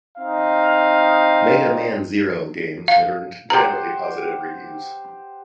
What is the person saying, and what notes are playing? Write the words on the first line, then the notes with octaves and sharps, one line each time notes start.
"Mega Man Zero" games have earned generally positive reviews.
C4 D#4 F5
F5
G4 C5 F#5 A#5